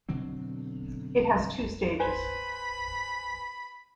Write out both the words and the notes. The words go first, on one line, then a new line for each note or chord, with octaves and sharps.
It has two stages.
B2 D3 F#3 C4
B4 C5 G#5 B5